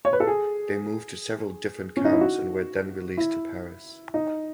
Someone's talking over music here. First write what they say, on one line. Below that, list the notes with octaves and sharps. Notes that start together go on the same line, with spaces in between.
They moved to several different camps and were then released to Paris.
C#5
B4
A4
G#4
C#4
D#4
E4
F#4
E4
D#4